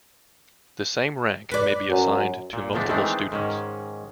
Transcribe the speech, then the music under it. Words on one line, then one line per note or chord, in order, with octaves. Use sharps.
The same rank may be assigned to multiple students.
B4 D5
F#2
A#2
E2 A2 F3 G#3 A3 D4
D#3 E3 G#3 A3 C4 D4
G#2 D#3 C#4